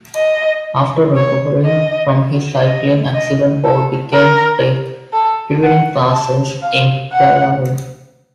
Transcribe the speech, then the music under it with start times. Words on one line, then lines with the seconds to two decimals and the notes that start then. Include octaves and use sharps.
After recovering from his cycling accident Paul began to take evening classes in tailoring.
0.16 D#5
1.16 C#5
1.65 D#5
2.65 D#5
3.14 D#5
3.64 A4
4.14 A#4
5.13 A4
5.63 F#5
6.13 A5
6.63 F5
7.13 F#5